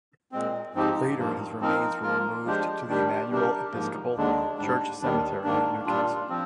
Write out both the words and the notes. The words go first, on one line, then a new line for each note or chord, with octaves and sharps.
Later his remains were removed to the Immanuel Episcopal Church Cemetery at New Castle.
A#2 G#3 C4
G#2 F3 C4 D#4 G4
G2 F3 A#3
F3 C4 D#4 A#4
F3 A#3 F4 A#4
F3 G#3 D4 G4 C5
D#3 G3 D4 G4
C3 G3 D4 G4 A#4
G#2 F3 A#3
D#2 D3 G#3 D4
G#2 G3 D4
D#2 D#3 G3 D4
G#2 D#3 A#3 D4
A#2 G3 D4 F4
F3 C4